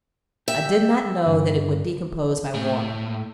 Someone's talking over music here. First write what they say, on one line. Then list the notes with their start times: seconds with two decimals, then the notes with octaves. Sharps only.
I did not know that it would decompose by water.
0.48 G4 E5
1.26 G2 D3
2.54 A2